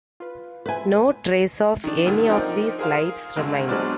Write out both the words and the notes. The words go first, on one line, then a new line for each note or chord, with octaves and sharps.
No trace of any of these lights remains.
F4 B4
B4 C5 E5 G#5
D#3 D4
G2 A#2 D3 D#3
F3 C4 D#4 A#4 D5 G5
G#4 A#4 C5 F5
G#1 D3 G#3
B2 F#3 G#3 C4 D4 F6